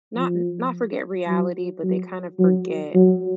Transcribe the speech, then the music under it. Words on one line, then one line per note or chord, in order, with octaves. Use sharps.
not not forget reality, but they kinda forget,
F3
F#3
F#3
F#3
F#3